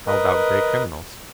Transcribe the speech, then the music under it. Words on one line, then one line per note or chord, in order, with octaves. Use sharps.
"How about great criminals?"
A#4 B4 D#5